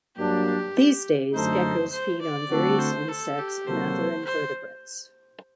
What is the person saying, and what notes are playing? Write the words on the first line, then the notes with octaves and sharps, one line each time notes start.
These day geckos fed on various insects and other invertebrates.
G2 F#3 A#3 D4 G4
F#2 D3 A3 D#4 A4 C5
C5
D5
D3 A3 C4 F#4 A4
C5
A4
G4
C3 F#3 A#3 F#4 A4 C5
C5